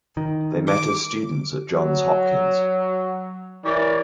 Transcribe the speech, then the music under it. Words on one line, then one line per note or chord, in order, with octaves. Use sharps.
They met as students at Johns Hopkins.
D#3
D6
F#3
E3 E4 G4 A#4 C#5 D5